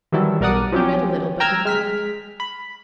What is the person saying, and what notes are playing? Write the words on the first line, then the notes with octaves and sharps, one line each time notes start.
He read a little but didn't like it.
D#3 E3 F#3 G3 E4 A4
B1 G3 A#4 D5 F#5 D#6
F3 F#3 C#4 G4
G5 A#5 E6 F6 G#6
G#3 F6 B6
B5